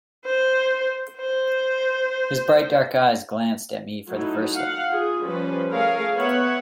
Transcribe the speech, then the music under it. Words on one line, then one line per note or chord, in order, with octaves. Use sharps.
His bright dark eyes glanced at me for the first time.
C5
C5
F#3 A3 D#4 E4
F5 F#5
F4 G#4
F3 G3 C#4 B4 C5
A3 G#4 A#4 C#5 F5
B3 B4 C#5 E5 F#5